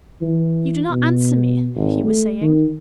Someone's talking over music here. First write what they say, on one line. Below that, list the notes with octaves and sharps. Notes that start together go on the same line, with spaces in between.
"You do not answer me," he was saying.
E3
B2
G#1
A3
D#3